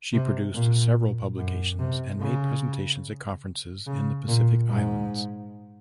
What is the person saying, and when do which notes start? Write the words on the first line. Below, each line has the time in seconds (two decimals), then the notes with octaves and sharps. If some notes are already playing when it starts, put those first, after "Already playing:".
She produced several publications and made presentations at conferences in the Pacific Islands.
0.13 C3
0.54 A#2
1.37 F#2
1.79 C3
2.20 C#3
3.87 C#3
4.28 A#2
4.69 G#2